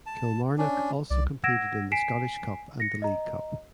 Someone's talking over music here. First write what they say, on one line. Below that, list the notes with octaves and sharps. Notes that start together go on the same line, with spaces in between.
Kilmarnock also competed in the Scottish Cup and the League Cup.
A5
C#4 D4
C2 D5
F#5 E6 G#6 A#6 D7 E7
G#5 B6 C7 D7 E7
A#6 C#7
D#5 A#5